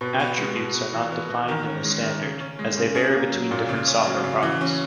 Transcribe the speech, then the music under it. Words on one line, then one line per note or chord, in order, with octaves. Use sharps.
Attributes are not defined in the standard, as they vary between different software products.
B2 B4
B3
G#3
B2
B3
E3
B3
E3
D#3 A#4
C#4
G#3
D#3
C#3
C#4
G#3
C#3
C#4 G#4
A#3
F#3
A#2
C#3
C#4
F#3
C#3
E3
C#4